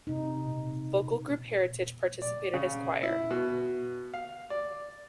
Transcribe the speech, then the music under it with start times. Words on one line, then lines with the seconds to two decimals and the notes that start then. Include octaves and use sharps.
Vocal group Heritage participated as choir.
0.07 C3 D#4
2.22 D5
2.54 C#3
3.03 E4
3.31 B2
4.14 F5
4.50 D5